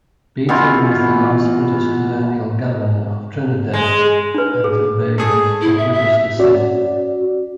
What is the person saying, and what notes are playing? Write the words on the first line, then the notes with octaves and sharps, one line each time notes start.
Beetham was the last British colonial governor of Trinidad and Tobago of British descent.
B2 E3 F4
G#3
D4 B4
G#4
A3 G#4
E4
E5
E5
C#4 F#4 D5